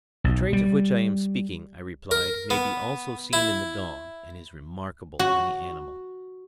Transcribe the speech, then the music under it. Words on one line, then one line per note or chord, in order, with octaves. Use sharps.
The trait of which I am speaking, I replied, may be also seen in the dog, and is remarkable in the animal.
B1
G3
A#4
B3
E4
F#4